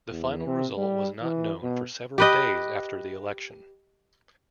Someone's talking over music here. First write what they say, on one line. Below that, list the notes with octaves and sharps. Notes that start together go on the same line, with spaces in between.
The final result was not known for several days after the election.
E2
C3
G3
E3
B2
G4 B4 D#5